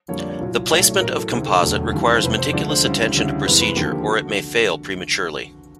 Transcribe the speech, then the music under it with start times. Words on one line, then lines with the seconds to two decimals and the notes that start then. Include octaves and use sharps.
The placement of composite requires meticulous attention to procedure or it may fail prematurely.
0.08 F2 D3 G3 A#3 C#5
0.19 D5
0.30 C#5
0.39 C2 A#2 F#3
0.69 B1 A2 F#3 A3 D5
0.85 C#5
1.00 A1 A2 F#3 A#4
1.16 A4
1.31 D2 C3 D#3 G#4
1.46 A4
1.61 E1 D2 D3 F#3 A3
1.92 D#2 C#3 E3 G3
2.14 C5
2.23 F1 F2 C3 B4
2.38 C5
2.53 D2 D3 F3 G#3 D5
2.69 C5
2.84 D2 C#3 E3 G3
3.15 D2 C#3 E3 G3
3.45 F1 E2 C3 E3 G#3 B4
3.60 B4
3.76 D#2 D3 F3 A#3 G4
3.92 G4
4.07 D3 F#4